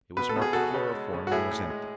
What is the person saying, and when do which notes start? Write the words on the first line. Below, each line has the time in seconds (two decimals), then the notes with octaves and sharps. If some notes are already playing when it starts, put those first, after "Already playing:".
It was marked chloroform and was empty.
0.17 B2 B4
0.29 A4
0.36 B2
0.42 G#4
0.53 B2 F#4 A4
0.74 C#3
0.94 G#3
1.13 C#3
1.27 F#4
1.32 A2 E4 G#4
1.51 A2
1.70 G#3